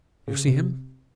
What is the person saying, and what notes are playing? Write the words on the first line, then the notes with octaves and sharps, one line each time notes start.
"You see him?"
C#3
C3